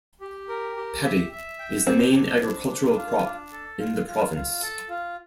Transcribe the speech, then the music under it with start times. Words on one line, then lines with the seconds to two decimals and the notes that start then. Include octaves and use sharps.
Paddy is the main agricultural crop in the province.
0.21 G4
0.48 A#4
0.77 G4
1.04 E5
1.31 E5
1.59 G5
1.87 C4 D4
2.14 D4
2.42 D4
2.69 D4
2.97 F4
3.25 D4
3.52 A4
3.79 F4
4.07 F4
4.34 F4
4.62 A4
4.89 F4